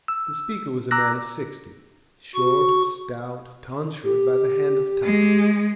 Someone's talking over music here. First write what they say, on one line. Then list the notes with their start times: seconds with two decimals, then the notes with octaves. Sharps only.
The speaker was a man of sixty, short, stout, tonsured by the hand of time.
0.08 E6
0.91 A#5 D6 E6 F#6 A#6
2.35 F#4 C#6
4.04 G4
5.03 G#3